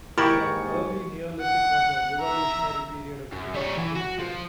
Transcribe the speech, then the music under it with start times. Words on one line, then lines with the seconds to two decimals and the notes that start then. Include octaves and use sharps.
The Early Neolithic was a revolutionary period of British history.
0.18 D#2 G#2 E4 G4 A#4 C#6 G#6 A6
1.41 F#5
2.20 E5 A#5
3.33 F#2
3.55 G3 C#5
3.78 E3
3.96 F#4
4.19 F3